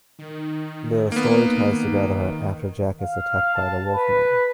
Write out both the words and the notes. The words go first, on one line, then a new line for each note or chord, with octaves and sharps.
The story ties together after Jack is attacked by the Wolfman.
D#3
A#3 B3
F5
A5
B4